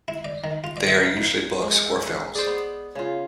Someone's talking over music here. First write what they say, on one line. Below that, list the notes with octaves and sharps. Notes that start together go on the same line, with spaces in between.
They are usually books or films.
E4
D5
D#3
F4
D5
E5
F2
F2
G#3
E6
G#4 C5 D5
B3
C#3 F4 C#5